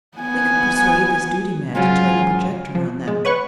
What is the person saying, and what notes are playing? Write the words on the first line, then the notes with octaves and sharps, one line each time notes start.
If we could persuade this duty man to turn the projector on them!
B3 G#5
G#2 C#3 F#3 F4 G#5
F3
G#3
B4 C#5 F#5 C#6